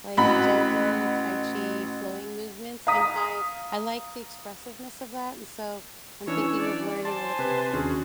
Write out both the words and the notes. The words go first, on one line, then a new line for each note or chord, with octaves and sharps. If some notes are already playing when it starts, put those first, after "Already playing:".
like, gentle tai chi flowing movements, and I I like the expressiveness of that, and so I'm thinking of learning a little bit.
A1 F#4 B5
F5 A#5 D#6 B6
E3 C#4 D4 C#5 E6
D5
C5 G#5 A5 C6
C3 B4
D#2 C#4 D4 F#4 G#4